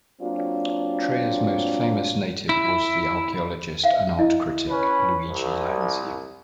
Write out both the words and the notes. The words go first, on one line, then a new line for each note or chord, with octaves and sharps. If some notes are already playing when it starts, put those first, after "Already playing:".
Treia's most famous native was the archaeologist and art critic Luigi Lanzi.
F#3 A#3 C4 D4 F4
E4
E5 F5
E4 D#5
C#4 B4
C2